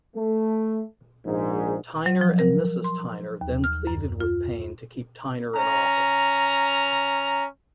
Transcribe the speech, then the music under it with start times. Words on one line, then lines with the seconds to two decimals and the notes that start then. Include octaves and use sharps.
Tyner and Mrs. Tyner then pleaded with Payne to keep Tyner in office.
0.16 A3
1.25 A#1 G#2
2.06 F#3
2.21 F3
2.39 A#4
2.84 C6
3.41 D#2
3.64 F6
3.87 F#2
4.20 F4
5.56 C#4 A#5